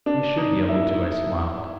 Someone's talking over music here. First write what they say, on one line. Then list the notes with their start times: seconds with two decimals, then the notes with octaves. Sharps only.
"We should be able to," I smiled.
0.06 D4
0.37 D#4
0.69 E4
0.89 E4